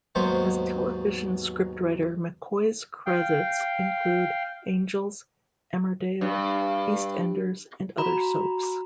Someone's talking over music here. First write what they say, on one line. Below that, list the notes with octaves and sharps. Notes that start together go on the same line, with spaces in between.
As television scriptwriter McCoy's credits include "Angels", "Emmerdale", "EastEnders" and other soaps.
D#2 G#2 F#3 B3 C5 C#6
F5 G5
G2
F#4 A#5 B5